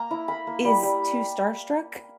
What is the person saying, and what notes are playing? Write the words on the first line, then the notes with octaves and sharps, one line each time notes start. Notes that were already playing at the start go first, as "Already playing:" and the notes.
is too starstruck
Already playing: A#3 A#5
E4
A#3 B5
A#3
G3
G3